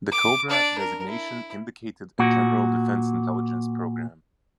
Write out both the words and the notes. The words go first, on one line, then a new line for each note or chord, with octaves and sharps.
The "Cobra" designation indicated a General Defense Intelligence Program.
D6
D4 D5
A#4
E4
A#2 F#4